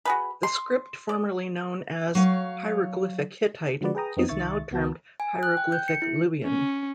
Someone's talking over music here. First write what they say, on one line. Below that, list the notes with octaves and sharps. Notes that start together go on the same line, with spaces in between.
The script formerly known as "Hieroglyphic Hittite" is now termed Hieroglyphic Luwian.
F#4 G#4 B4
C6
D5
F#3 C#5 F5
D3 F3 G#3 F#4 B4 D5
G#4 B4 G5 A#5 D#6
F2 B3 C4 D#4 D#6
C2 D#3 E5 C#6 A6
C#2 B3 F#4 A5
G#5
F#6
G5
G6
C#7
E4
C#4